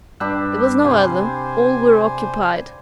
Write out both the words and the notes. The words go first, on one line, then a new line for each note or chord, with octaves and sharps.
There was no other, all were occupied.
G2 D4 G4 B4 E6 F#6
C3 C5 F5 G#5